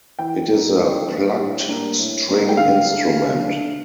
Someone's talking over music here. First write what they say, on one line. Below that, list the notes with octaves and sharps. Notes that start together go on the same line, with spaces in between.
It is a plucked string instrument.
E3 G5
G3 A#3 D4
E3
G3 A#3 D4
A2
G3 A#3 D4
A2
G3 A#3 D4
G5
D3 F5
A3 D4
D3
A3 D4